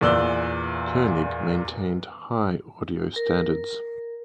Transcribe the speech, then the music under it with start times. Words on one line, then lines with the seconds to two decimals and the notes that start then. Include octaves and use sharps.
Koenig maintained high audio standards.
0.01 E2 A#2 D5 E6 F#6 G7
3.16 A#4